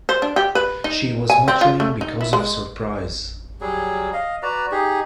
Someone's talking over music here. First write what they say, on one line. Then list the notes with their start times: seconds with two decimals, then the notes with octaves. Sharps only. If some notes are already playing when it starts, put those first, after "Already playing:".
She was muttering because of surprise.
0.09 C5
0.22 D4
0.36 G4
0.55 B4
0.84 D#4
1.30 G#5
1.48 C4
1.61 F4
1.80 A3
2.01 D#4
2.21 E4
2.33 G#3
3.61 F#3 G3 G#4
4.13 D#5 F5
4.43 F#4 B4 D5 A#5
4.71 D#4 G4 G#4